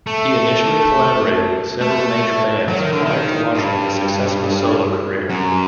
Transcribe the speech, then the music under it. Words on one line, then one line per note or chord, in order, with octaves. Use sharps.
He initially collaborated with several major bands, prior to launching a successful solo career.
A3
A3
F#3
D#3
D3
D#3
G2
F#2